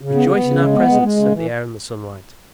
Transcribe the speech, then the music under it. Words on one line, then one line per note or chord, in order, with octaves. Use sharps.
"Rejoice in our presence!" said the Air and the Sunlight.
C#3
B3
B3
C#3
G#3
B3
G#3
G#3
C#3
E3